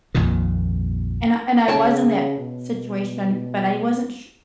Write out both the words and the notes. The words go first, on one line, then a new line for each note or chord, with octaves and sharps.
And and I was in that situation, but I wasn't su
A#1 F2 A#2 D#3
C#3 C#5 G5 A5
B2